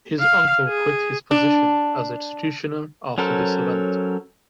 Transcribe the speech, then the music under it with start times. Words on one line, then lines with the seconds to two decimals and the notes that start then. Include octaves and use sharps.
His uncle quit his position as executioner after this event.
0.20 F5
0.68 G#4
1.31 D4
3.18 F#3 C#4 A4 A#4 C5